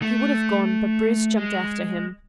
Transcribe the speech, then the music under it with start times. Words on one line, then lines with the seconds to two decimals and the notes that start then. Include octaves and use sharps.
He would have gone, but Bruce jumped after him.
0.02 A3
1.37 G#3